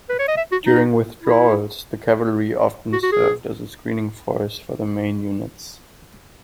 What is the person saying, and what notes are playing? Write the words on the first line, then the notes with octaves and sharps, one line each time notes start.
During withdrawals, the cavalry often served as a screening force for the main units.
B4
C#5
D#5
E5
F#4
D#4
E4
F#4
F#4
G#4